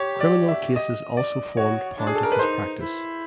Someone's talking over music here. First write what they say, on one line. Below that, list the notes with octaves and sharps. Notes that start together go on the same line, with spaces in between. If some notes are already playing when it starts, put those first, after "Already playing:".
Criminal cases also formed part of his practice.
Already playing: G4 C#5
D5
E5
D#5
D5
F#4 C#5
D4
G#4
A4
A#4
B4
D#4 C5
E4